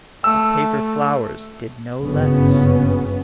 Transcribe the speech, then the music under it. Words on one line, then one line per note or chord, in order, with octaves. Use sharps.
The paper flowers did no less.
A3 E6
F#1 G2 C#3 B3 C#4